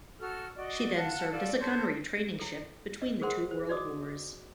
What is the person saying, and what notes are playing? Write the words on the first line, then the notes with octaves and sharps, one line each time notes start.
She then served as a gunnery training ship between the two world wars.
F#4 A4 F6
F#4 D5 D#5
F4 F#5 A5
F4 F#4 A4 D5
A4 C5 C#5
E4 A4
D#5
G#4 A#4 C5 F#5 C6
C5
D#4 F#4 D5 D#5 D6 D#6